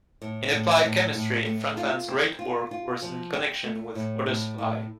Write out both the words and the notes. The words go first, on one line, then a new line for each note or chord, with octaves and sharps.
In applied chemistry Frankland's great work was in connection with water-supply.
A2
A2
A2
A2
A3
F4
C4
F4
F4
F3
C4
A3
A2
A2
A2